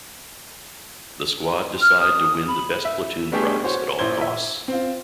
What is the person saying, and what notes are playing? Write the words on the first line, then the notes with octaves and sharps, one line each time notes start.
The squad decide to win the best platoon prize at all costs.
F6
D#6
B5
E5
G3 A3 B3 D4 G4 G#4
F#4 C5 C#5
A#1 E4 C5 G#6 G7
E5
C4 F4